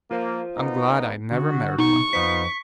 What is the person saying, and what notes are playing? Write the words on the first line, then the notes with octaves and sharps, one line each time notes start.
I'm glad I never married one!
A#3 F4 C5
A#3 B3 D#4
D3 F#4
B2 D#4 C#6
F2 B3 D#4 F4 C5 B6